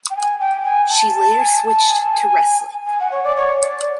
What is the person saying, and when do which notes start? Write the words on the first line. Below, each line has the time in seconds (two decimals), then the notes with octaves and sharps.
She later switched to wrestling.
0.10 G5
0.16 G#5
0.40 G5
0.65 G#5
0.90 A5
1.14 A5
1.39 G#5
1.63 A5
1.88 G#5
2.00 A5
2.12 G#5
2.87 G#5
3.00 F#5
3.12 C#5
3.24 D5
3.37 C#5
3.61 D5